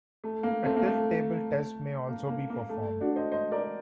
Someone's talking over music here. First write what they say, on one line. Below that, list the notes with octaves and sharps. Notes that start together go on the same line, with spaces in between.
A tilt table test may also be performed.
A3
A#3
A3 C4
A#3
A3
A#3
A#3
A#3
A3
D4 F#4
C5 D#5
C5 D#5
A#4 D5